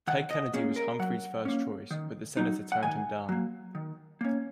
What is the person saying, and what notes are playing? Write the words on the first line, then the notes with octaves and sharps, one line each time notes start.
Ted Kennedy was Humphrey's first choice, but the senator turned him down.
D#3 F#5
D#5
A#3 C#4 G#4
A#4
F#3 F#5
A#3 C#4
D#3
F#3 D#4
F#5
D#3 G#5
F#3 A#3
D#3
A#3 C#4